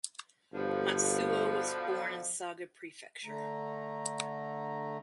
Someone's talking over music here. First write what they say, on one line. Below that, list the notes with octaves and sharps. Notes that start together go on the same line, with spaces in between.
Matsuo was born in Saga Prefecture.
G1 B2 D3 F3
D3 A3 A#5